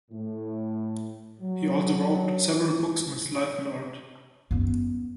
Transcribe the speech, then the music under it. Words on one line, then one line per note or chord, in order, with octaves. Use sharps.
He also wrote several books on his life and art.
A2
F#3
F#2 B3